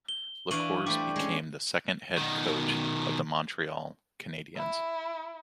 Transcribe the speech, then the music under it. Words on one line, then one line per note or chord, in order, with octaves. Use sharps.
Lecours became the second head coach of the Montreal Canadiens.
G7
E3 D4 F5 C#6 D#7 F#7
G3 A3 C5 D6
G#3 C#4
B2 D#3
E4